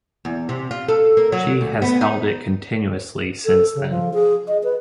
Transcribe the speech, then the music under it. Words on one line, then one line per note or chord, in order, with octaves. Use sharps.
She has held it continuously since then.
E2
C3
F4
A4
A#3
F#3
D2
B3
D#4
A4
C#3
F3
G#4
D#5
B4